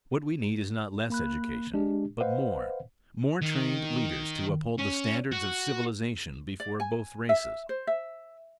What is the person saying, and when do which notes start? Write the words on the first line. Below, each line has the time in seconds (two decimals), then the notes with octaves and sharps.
What we need is not less education, but more; more trained leaders to uphold the standards of civilization before both races.
1.10 A#3 B5 F#6
1.74 G#3 D4 G4
2.21 B4 C5 D#5 F5 F#5
3.42 D#3
4.79 C#4
5.32 F#4
6.60 D5
6.80 G#5
7.29 E5
7.69 C5
7.87 E5